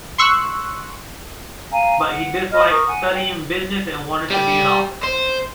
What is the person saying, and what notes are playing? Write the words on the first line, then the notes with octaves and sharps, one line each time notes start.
But he disliked studying business and wanted to be an author.
C6 C#6 E6 F#6
F5 G#5 A#5
F#5
D#5 B5 F6
A#4 C#6 D#6
F#5 G#5
G5
G3 G4
C5